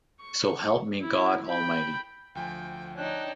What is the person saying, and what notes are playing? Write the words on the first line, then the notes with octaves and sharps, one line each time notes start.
So help me God almighty.
C#6
E4
G5 B5
D2 F3 G5 G#5
D4 D#4 C#5 G5 F#6